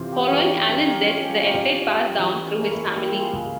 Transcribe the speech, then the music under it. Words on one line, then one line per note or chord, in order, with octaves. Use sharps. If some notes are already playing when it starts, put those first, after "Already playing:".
Following Allen's death the estate passed down through his family.
Already playing: C3 E3 F4 C5
G4 A#4
E3 A#4 C#5
G4 A#4
C#4
G4 A#4
C#4 F4 G#4
G4 A#4
C#4 G4 A#4
C#4
E3 E4
C#4
A#3 C#4
E4
A#3 E4 G4
F4 G#4
C#2